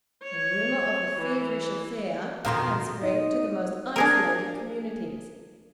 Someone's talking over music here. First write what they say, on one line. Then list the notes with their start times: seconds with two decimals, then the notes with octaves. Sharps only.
The rumour of the feverish affair had spread to the most isolated communities.
0.23 C#5
1.19 E3
2.45 F2 B2 D#3 F5 A#5 C6
3.03 D#4 D#5
3.96 D4 G#4 A#4